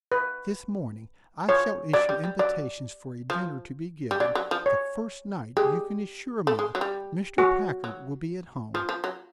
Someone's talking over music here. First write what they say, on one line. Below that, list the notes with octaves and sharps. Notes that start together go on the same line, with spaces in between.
This morning I shall issue invitations for a dinner to be given the first night you can assure me Mr. Packard will be at home.
B4
F3 C#5
F#3 D5
G3
G3
F#3 D5
F3
G3
F#3 D5
F#3
F3
C#5
G#3 G4
A3
G#3
F#3
G3
F#4
F#3
F3 F4
F3
F#3